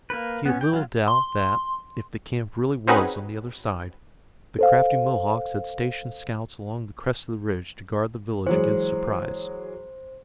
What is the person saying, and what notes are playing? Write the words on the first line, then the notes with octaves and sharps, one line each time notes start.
He had little doubt that, if the camp really was on the other side, the crafty Mohawks had stationed scouts along the crest of the ridge to guard the village against surprise.
A#3 B4
B3 C#4
G5
F#3 F4
C6
C4 C#4 D#4 F#4 G#4 B4
A4 C5 F5
E3 F#3 G#3 C5